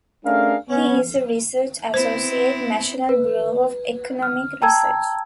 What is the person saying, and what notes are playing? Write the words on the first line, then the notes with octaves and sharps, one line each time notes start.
He is a Research Associate, National Bureau of Economic Research.
A3 C#4 D4 G#4 A#4 F5
B3 C#4
B3 C4 E4 C5
B4
F6
G5 A5 A#5 E6 G#6